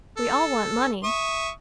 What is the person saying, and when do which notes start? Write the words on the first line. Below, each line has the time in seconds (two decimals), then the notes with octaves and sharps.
We all want money.
0.17 A4
1.04 E5 C#6 D#6